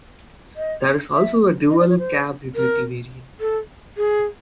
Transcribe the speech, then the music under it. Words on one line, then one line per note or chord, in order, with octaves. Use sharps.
There is also a Dual Cab Utility variant.
D#5
E5
D#5
D5
C#5
C5
A#4
A4
G#4